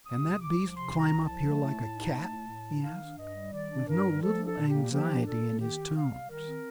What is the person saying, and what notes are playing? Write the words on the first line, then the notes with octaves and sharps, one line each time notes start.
"Can that beast climb up here, like a cat?" he asked, with no little anxiety in his tones.
C3 D#6
C2
C2 D6
F3
C3 C6
C2
A#5
C2
A5
F3
A3
A2
A2
D#4
A3
A2
A2
D#4
D#3 F5
D4
G2 D#5
G3
D#3 D5
D4
G2 A#4
G3
F3 A4
D4
A4
A#2
G4
A#3
F3 G4
D4
A#2 A4
A#3
D#3 G4
C4
C3 F5
G3
D#3 A#4
C4